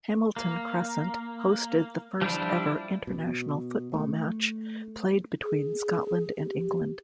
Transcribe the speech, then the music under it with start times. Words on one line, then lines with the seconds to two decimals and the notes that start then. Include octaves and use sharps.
Hamilton Crescent hosted the first ever international football match, played between Scotland and England.
0.37 A#3
2.21 F3 G3 D4 E4
3.07 B2
3.94 A3
5.43 G#4
6.37 G4